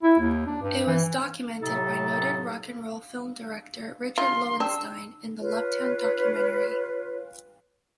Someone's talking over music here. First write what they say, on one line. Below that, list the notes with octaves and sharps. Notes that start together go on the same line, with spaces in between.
It was documented by noted rock'n'roll film director Richard Lowenstein in the "LoveTown" documentary.
E4
D#2
D4
G2
E3
A2 C3 F#3 D#4 G4 A4
F4 C6
G3 D4 E6
F4 B4 C#5